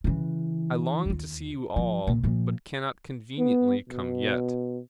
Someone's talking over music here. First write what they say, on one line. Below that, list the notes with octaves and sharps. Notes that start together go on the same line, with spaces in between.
'I long to see you all, but cannot conveniently come yet.
C#3 E3
D#2 F4
F3
A#2
A#2 F3
B3
B2